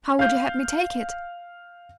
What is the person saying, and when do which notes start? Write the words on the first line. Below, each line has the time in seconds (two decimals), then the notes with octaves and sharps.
How would you have me take it?
0.19 F5 G6